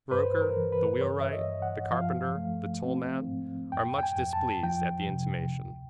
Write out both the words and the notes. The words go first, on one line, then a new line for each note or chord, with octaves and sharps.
The broker, the wheelwright, the carpenter, the toll-man, are much displeased at the intimation.
G2 B4
C5
B4
A#4
E3
B4
G2 C#5
E5
D#5
G2
F#5
F3 F5
A3
C4
G#2
F2 G5
G5
G#5
F2
A5
F3 G5
C3
D2